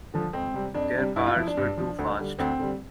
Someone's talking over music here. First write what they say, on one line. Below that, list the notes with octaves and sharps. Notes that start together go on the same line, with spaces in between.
Their cars were too fast.
D3 F3
F2 C4
C3 G3
F2 D4
C3 G3
G2 E4
F4
F3 E4
D4
G2
F3
D2
D3 G3
D2 C4
D3 G3